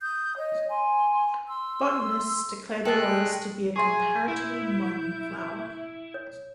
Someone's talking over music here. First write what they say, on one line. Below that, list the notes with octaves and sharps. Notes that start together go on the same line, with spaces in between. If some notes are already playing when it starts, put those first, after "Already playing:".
Botanists declare the rose to be a comparatively modern flower.
D#6 G6
C#5 D#5
G#5 C6
C6 E6
G#3 A3 A4 G5 F#6
G#4 E5 G#5 C6 C#6
E4 G6
C#5